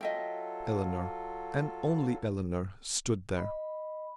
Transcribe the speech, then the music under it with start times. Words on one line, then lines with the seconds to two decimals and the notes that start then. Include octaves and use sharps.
Eleanor, and only Eleanor, stood there.
0.01 F#3 F4 A4 D#5 E5 G5
3.37 D#5 B5